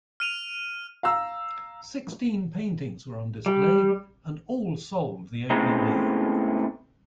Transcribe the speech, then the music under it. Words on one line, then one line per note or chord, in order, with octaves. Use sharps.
Sixteen paintings were on display and all sold the opening day.
F6 D#7 F7
F5 A#5 E6
G3
A2 C#3 G#3 B3 C4 D#4